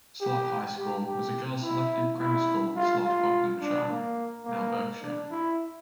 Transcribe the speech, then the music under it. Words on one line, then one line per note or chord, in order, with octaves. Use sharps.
Slough High School was a girls selective grammar school in Slough, Buckinghamshire, now Berkshire.
G4
G4
G4
E4
E4
F4
F4
D4
A#3
A#3
D4
E4